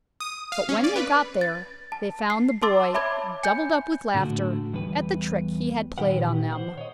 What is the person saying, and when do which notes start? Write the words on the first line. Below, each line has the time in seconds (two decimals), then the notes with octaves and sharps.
But when they got there they found the Boy doubled up with laughter at the trick he had played on them.
0.20 D#6
0.52 F5
0.69 C#4
0.84 D5
0.96 B4
1.41 A6
1.92 A5
2.30 C7
2.62 A5 C6 D6 E6 A6
2.94 C#5 E5 A5 B5 D6 G#6
3.43 G#5 G6
4.14 A2 D3 A3 F#4
4.73 E2 G3 B4
5.98 A#2 D#3 G4 B4 F#5
6.52 C5 F#5
6.78 C#5 D#5